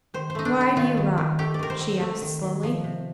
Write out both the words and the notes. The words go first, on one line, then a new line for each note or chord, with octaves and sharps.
"Why do you rock?" she asked slowly.
D#3 C5
C5
A3 D#4
D4
C4 D#4
D#3 F4
D#3
D#3
A3 G4
D5
D#3 A#4
C5
C4
A3
D#3
D#3
F3
C3